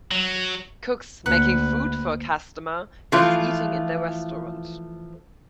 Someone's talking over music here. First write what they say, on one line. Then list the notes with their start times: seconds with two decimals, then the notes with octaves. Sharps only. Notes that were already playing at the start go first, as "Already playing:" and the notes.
Cooks making food for a customer that is eating in their restaurant.
0.11 F#3
1.26 D2 A#3 B4 F#5
3.12 E3 F3 A3 F4